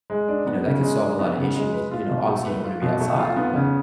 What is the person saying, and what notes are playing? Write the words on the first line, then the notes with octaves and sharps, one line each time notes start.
you know, that could solve a lot of issues. You know, obviously you don't wanna be outside, but,
G#3
D4
B3
C#3
G#3
D4
B3
C#3
G#3
B4
F4
B2
A3
B4
F4
B2
A3
F4
B3
C#3